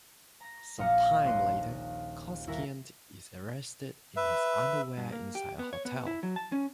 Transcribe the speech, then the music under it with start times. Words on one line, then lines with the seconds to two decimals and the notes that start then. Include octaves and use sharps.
Some time later, Costikyan is arrested in his underwear inside a hotel.
0.40 A#5 A#6
0.78 A#1 D#5 F5 A#5 C#7
1.24 D#1 D#2 D#5 C6 F#6
2.47 D#1 E4 F#4 A#4
4.16 B4 E5
4.97 G2
5.12 A#3
5.35 G4
5.59 B3
5.73 C#5
5.85 B3
6.07 E4
6.23 F#3
6.36 A5
6.52 C#4